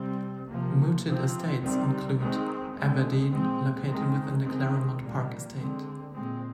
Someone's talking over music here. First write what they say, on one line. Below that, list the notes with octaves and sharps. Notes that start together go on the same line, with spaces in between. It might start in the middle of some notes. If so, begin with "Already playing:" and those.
Mooted estates include "Evadene", located within the Claremont Park estate.
Already playing: C3 G3 C4
C3 F3 A#3
C3 F3 C4
C3 D#3 G3 C4
D#3 G#3 C4
D3 G#3 C4
A#2 G#3 C4
D#3 G#3 C4
D#3 G#3 C4
A#2 G3 A#3
D3 G#3 C4
A#2 G#3 C4